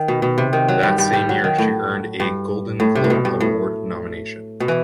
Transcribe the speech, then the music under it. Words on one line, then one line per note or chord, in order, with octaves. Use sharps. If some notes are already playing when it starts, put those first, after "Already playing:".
That same year, she earned a Golden Globe Award nomination.
Already playing: D#3
B2
B2
C3
D#3
F#3
G2 G3
G2 G3
G2 G3
F#3
D#3
A2
G2
A2
C3
A2
B2
G2
A2
B2
E3